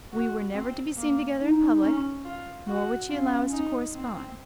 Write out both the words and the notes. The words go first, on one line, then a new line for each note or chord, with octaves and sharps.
We were never to be seen together in public, nor would she allow us to correspond.
F#4
C4
A#3
D#4
C#4
F4
F#4
C#4 F4
D#4
C4